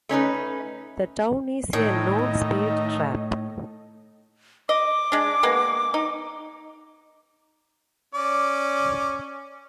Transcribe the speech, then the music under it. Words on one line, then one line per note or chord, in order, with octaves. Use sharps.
The town is a known speed trap.
A3 C#4 D#4 B4
A2 D#3 A3 D#4
D#5
D#5 D6
G#3 D4
G#3 A#3 B3
D#4
C#4 D5